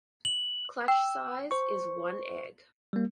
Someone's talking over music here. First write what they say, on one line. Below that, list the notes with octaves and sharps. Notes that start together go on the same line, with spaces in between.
Clutch size is one egg.
F#7
G5 E6
C5 C#6
G3 A#3